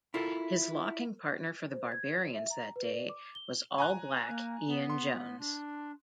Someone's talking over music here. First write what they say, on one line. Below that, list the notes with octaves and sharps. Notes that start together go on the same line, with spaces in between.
His locking partner for the Barbarians that day was All Black Ian Jones.
E4 F4 A4 A#4
C5
G#6
C#5
E5
A#5
B4
D5
D6
G7
G#5 A#5 F#6
A#3
B3
C6
D4